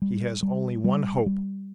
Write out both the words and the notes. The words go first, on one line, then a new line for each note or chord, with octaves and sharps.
He has only one hope.
G3
G3
G3
G3